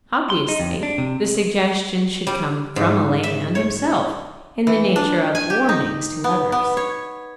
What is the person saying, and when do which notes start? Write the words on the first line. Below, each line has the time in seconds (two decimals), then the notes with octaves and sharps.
Obviously the suggestions should come from a layman himself, in the nature of warnings to others.
0.30 C6
0.48 D#4
0.60 F2
0.83 D4
0.98 C3
2.27 G3
2.76 G#2
3.23 E5
3.55 C#5
4.67 E3
4.96 D4
5.35 G#5
5.50 G4
5.69 D#4
6.24 B3
6.52 B3
6.77 C#5